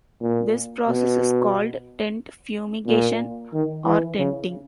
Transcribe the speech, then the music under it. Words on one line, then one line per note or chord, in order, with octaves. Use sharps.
This process is called tent fumigation or "tenting".
A#2
B2
A#2
D#3
E3
C#3